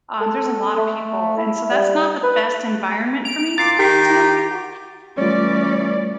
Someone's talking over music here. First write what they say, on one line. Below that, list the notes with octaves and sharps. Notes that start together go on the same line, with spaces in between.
um, there's a lotta people, and so, that's not the best environment for me to get to know people,
A4
A3
E4
G3
B4
D7 F7
A#2 D6 A6 C7 D7
D#3 G4
E3 G3 A3 C#4 F4 D5